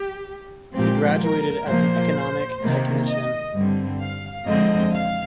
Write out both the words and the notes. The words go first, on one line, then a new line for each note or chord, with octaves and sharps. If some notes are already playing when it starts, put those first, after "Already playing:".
He graduated as an economic technician.
Already playing: G4
A#2 F3 G#3 C4 G4
A#4
A#2 F3 A#3 C5
C3 D#3 A#3
D#5
G2 D3 G3 C4
F5
F2 D3 G#3 C4 D#5
F5